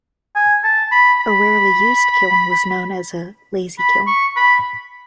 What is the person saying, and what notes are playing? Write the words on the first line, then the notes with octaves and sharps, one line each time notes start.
A rarely used kiln was known as a "lazy kiln".
G#5
A5
B5
B5
B5
C#6
B5